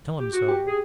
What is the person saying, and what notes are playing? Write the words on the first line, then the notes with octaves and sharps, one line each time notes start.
Tell him so.
G4
F#4
G4
G#4